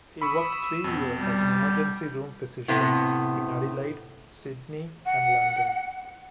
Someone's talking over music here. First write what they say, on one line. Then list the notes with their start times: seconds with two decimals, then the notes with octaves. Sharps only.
He worked three years as an emergency-room physician in Adelaide, Sydney and London.
0.22 B5 C#6 D#6 E6
0.84 F2 B2
1.19 G3
2.68 A2 C3 B3
5.06 F#5